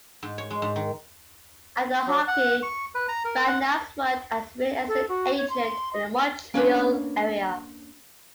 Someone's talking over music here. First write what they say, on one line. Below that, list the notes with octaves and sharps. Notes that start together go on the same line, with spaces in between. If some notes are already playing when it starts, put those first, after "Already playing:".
After hockey, Vadnais worked as a real estate agent in the Montreal area.
G#2
C#5
G#3
G#2
D#3
F#3
F#5
C#6
B4
A#5
A#4
F#5
A4
F#4
C#5
C6
D#5
A#3 C#4 D4 B4